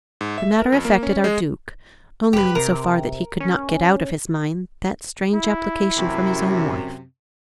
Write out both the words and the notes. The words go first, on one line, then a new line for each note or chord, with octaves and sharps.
The matter affected our Duke,--only in so far that he could not get out of his mind that strange application from his own wife.
G#2
E5
A#4
F2
A#3
C#4
G#3
F1 G4 B4
C3 A#4
C#4
E4
F#2 C3